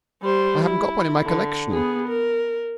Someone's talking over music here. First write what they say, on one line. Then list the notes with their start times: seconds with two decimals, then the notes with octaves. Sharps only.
I haven't got one in my collection.'
0.23 G3 C5
0.65 E4
1.25 D3
1.72 B3 G#4
2.08 A#4